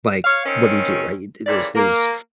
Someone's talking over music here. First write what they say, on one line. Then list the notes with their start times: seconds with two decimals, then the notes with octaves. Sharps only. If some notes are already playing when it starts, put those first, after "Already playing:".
like, what do you do, right? Th there's there's
0.25 C#5 F5
0.45 D#3 C4 C#4
1.47 A#2 C#3 E3 G3 D5
1.75 A#3